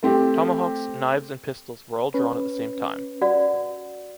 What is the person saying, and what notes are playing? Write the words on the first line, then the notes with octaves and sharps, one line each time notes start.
Tomahawks, knives and pistols were all drawn at the same time.
A3 C4 G4
C#4 B4
F#4 D5 F#5